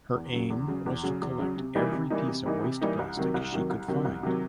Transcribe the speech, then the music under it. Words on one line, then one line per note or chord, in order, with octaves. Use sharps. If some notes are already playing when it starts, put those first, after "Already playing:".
Her aim was to collect every piece of waste plastic she could find.
E2
C#3 F#3
E2
C#3 F#3
E2
C#3 F#3
E2
C#3 F#3
C3
E3 G3 A#3 D#4
C3
E3 G3 A#3 D#4
C3
E3 G3 A#3 D#4
C3
E3 G3 A#3 D#4
C2
C3 D#3 F#3
C2
C3 D#3 F#3
C2
C3 D#3 F#3
C2
C3 D#3 F#3